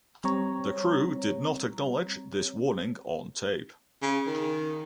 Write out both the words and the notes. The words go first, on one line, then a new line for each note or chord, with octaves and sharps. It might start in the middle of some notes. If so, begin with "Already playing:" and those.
The crew did not acknowledge this warning on tape.
G3 C4 C#5 A#5
C#3
D#3